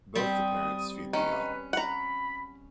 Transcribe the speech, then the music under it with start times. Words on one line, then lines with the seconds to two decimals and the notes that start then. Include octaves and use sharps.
Both the parents feed the young.
0.15 G3 C4 D#6
1.13 D#3 C#4 B4
1.73 F#5 A#5 B5